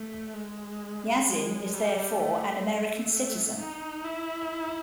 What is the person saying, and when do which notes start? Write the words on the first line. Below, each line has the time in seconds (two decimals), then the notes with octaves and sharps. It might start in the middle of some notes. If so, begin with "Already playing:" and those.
Yasin is therefore an American citizen.
Already playing: A3
0.33 G#3
1.26 G#3
1.73 G3
2.19 A3
2.65 A3
3.58 D#4
4.04 E4